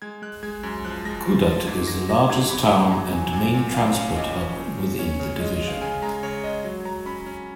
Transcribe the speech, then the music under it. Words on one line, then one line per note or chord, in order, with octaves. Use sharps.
Kudat is the largest town and main transport hub within the division.
G#3 G#6
G#3 F#6
G#3 G#6
F#2
F3 F#6
G#3 A#6
F3
F3
G#2 G#6
G#2 A#6
F#3 A#6
G#2 G#6
G#2 B5
G#2
F#3 A#5
F#3 G#5
A#2 G#5
A#2
A#2 F5
C#4 F5
A#2 D#5
C#4
A#2
C#4
C#4 C#5
C#3 C#5
G#3 D#5
D#5
G#3
F5
C#3 G#5
G#3 A#5
C#3 C#5
G#3 D#5
F#3
F#3 A#5
C#4 B5
C#4